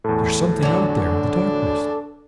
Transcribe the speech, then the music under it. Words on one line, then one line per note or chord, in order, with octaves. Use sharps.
"There is something out there in the darkness."
E2 A2 A4
D3 F#3 D4